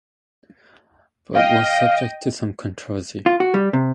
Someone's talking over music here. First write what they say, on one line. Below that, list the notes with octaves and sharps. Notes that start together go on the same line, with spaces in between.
But was subject to some controversy.
D#5 F5 G5
F4
F#4
G3
C3